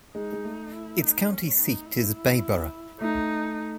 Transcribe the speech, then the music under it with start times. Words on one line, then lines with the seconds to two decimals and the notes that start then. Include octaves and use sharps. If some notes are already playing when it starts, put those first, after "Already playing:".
Its county seat is Bayboro.
0.15 G#3 D#4
0.32 G#3
0.44 A3
0.72 E4
1.01 D#4
1.30 C#4
1.58 D#4
1.86 E4
3.00 A3 D#4